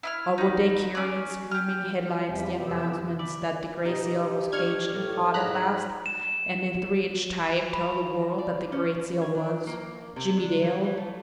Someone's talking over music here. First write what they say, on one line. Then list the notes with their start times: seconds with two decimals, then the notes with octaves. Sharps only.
Or would they carry in screaming headlines the announcement that the Gray Seal was caged and caught at last, and in three-inch type tell the world that the Gray Seal was--Jimmie Dale!
0.03 E4 D#6 F6
0.38 D#4 B4
0.95 C#4 D5
1.51 G4 F6
2.25 E2 C3 F3 G3 B6
2.57 F2 C3 E3 B3 G4 E6
3.19 D5 E5 B5
3.85 B2 D#4 G4 D#5
4.52 D4 C#6 F6 G#6
4.96 A2 D5
5.34 G#2 A#5 B5 F#6
6.06 E7
7.73 B5
8.38 D5
8.72 C#4
9.21 C#5
9.35 D4
9.67 A#3
10.16 C3
10.37 D3
10.62 E3
10.84 E3
10.97 A3